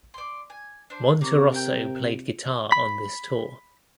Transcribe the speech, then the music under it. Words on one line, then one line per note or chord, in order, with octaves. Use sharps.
Monterosso played guitar on this tour.
D5 C6
G#5
D4 C5
C3 A#3 A#5 C#6
A#4 G5
B5